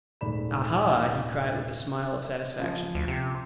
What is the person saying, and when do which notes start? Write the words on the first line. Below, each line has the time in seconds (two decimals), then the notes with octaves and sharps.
"Aha!" he cried with a smile of satisfaction.
0.21 D#1 G#2 A3 D5 B5 E7
2.59 C#3 F3
2.94 D2
3.08 C3